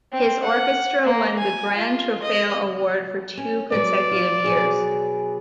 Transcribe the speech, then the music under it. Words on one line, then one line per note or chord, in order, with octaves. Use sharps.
His orchestra won the "Gran Trofeo Award" for two consecutive years.
C4
F#5
A#3
G#5
F4
D#5
C#4
F#3 B3 D5
F4
B2 F#3 G#4